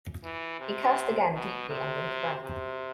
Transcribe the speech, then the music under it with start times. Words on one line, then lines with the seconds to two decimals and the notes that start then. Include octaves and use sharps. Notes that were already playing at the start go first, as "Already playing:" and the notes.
He cursed again deeply under his breath.
0.24 E3
0.60 C3
1.34 B2
1.70 C3
2.43 C3